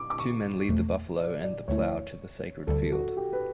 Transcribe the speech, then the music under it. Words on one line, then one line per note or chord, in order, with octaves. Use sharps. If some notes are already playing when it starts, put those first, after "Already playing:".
Two men lead the buffalo and the plough to the sacred field.
Already playing: D6
D6
C#6
E2 B2 A3
D5
D5
D2 D3 A3 E4 C#5
D2 D3 G3 A4
F#4
G4
B4